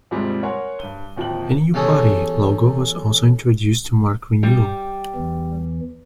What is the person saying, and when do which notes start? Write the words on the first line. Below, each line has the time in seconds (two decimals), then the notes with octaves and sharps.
A new party logo was also introduced to mark renewal.
0.11 D#2 G#2 C3 F3 G3 G#3
0.43 A#4 C#5 F#5 G#5 C6
0.79 G2 D#7 G7
1.16 D1 D#2 F3 G5 F#7
1.74 E2 G3 C#4 A4 C#5 D#6
4.43 G3
5.15 E2 E3